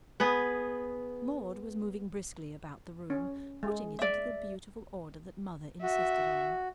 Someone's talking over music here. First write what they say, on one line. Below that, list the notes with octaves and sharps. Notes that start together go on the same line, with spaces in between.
Maude was moving briskly about the room, putting it into the beautiful order that Mother insisted on.
B3 G#4 B4
C#4
G#3
D5 E5
F#4 E5